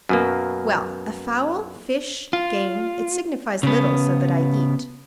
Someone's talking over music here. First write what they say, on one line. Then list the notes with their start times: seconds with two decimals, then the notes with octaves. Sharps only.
"Well, a fowl, fish, game,--it signifies little, so that I eat."
0.09 F#2 B2 A#3
2.33 F4
3.63 C#3 B3